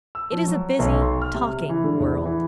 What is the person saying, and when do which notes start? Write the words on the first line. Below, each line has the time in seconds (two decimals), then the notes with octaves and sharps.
It is a busy, talking world.
0.15 E6
0.32 F3
0.48 F#3
0.79 B1
1.02 C6
1.22 F6
1.34 C3
1.69 E3
1.84 D3
2.00 E2
2.25 E3